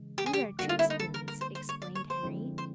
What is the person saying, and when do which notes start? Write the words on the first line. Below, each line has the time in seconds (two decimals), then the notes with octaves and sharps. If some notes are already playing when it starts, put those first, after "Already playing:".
"These are trick spoons," explained Henry.
Already playing: C#3 E3 G#3
0.18 G4
0.26 G#4
0.33 G4
0.59 D3 G3 A#3 F#4
0.69 F4
0.79 E4
0.90 D#4
0.99 A4
1.14 A#4
1.28 A#4
1.41 C5
1.55 C5
1.69 C#5
1.82 D5
1.95 C#5
2.10 C5
2.23 D3 F3 G#3 C4 E4
2.58 C5